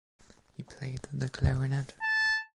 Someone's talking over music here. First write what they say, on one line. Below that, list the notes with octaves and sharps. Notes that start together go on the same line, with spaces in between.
He played the clarinet.
A5